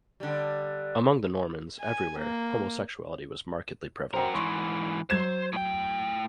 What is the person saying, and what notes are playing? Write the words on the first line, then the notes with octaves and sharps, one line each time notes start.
Among the Normans, everywhere, homosexuality was markedly prevalent.
D3 G3
G#5
A#3
F#4 A#4 C5 G5 A#5
G#2 E3 C6 C#6
F#3 C5 G#6 E7
A2 G5